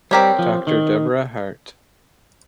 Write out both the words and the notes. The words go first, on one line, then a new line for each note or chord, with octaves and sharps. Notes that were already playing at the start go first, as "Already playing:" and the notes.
Doctor Deborah Hart.
G3 C4 G4 A#4 C#5
F3
D#3